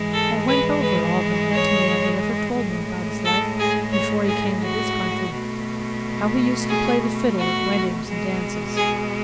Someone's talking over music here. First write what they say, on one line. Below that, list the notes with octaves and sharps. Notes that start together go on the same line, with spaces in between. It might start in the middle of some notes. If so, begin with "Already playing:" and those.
I went over all that Antonia had ever told me about his life before he came to this country; how he used to play the fiddle at weddings and dances.
Already playing: G#2 E3 G#3
A4
B4
B4
C#5
A2 G#3
A4
G#4
C#5
G#4
F#4
B2 A3
G#4
F#4
B2 G#3
G#4